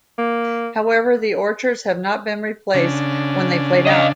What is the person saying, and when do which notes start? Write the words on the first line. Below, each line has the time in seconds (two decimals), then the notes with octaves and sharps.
However, the orchards have not been replaced when they played out.
0.18 A#3
2.74 C#3 D4
3.87 D#5 F5